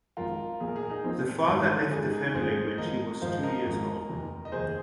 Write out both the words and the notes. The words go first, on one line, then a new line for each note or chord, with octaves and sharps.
The father left the family when she was two years old.
G#1 G#2 F3 F4 A#4
A#1 A#2 F3 G#4
A#4
G#4
A#4
D#4 G#4
A#1 A#2 F3 C4
G#1 G#2 F3 D#4
G#1 G#2 F3 D#4 G#4
D#4 G#4
G#1 G#2 F3 G#4 C5
G#1 G#2 F3 A#4 D#5
G#1 G#2 F3 C5 F5
A#4 D#5
G#1 G#2 F3
F1 D#2 D#3
D#5
F1 D#2 D#3 G#4 C5